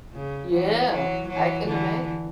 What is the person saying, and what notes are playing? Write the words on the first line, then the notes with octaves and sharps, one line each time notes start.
Yeah, I can imagine.
C#3
E3 F#3
E3 F#3
E3 F#3
D3 E3